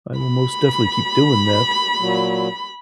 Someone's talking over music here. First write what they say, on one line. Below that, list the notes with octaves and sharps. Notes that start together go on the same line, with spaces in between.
I will most definitely keep doing that.
B5
A#2 F#3